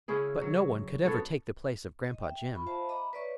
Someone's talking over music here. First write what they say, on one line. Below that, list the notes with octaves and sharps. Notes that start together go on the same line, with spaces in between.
But no one could ever take the place of Gran'pa Jim.
C#3 C#4 E4 G#4
F#3
F#3 B3 A4 C#5
D#5
E5 G5
F4 B5 C#6
C5 E5 F5 A5 B5
D#5 E5 A#5 B5 D6
B4 C#5 D5 E5 C#6